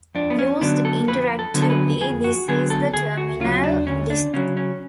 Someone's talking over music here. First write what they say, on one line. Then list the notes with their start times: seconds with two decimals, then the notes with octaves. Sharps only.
Used interactively, this is the terminal display.
0.15 F2 D4
0.30 B3
0.39 C#4
0.61 D3 F#3 B3 D4
0.85 A4
1.07 F2 B4
1.39 A4
1.54 D3 F#3 B3
1.62 A4
1.70 B4
2.01 F2 G#4
2.24 F#4
2.48 D3 F#3 B3 G#4
2.70 A4
2.94 D2 G#4
3.17 F#4
3.40 C#3 F#3 F4
3.64 D4
3.87 D2 C#4
4.10 D4
4.33 C#3 F#3 C#4
4.57 C#4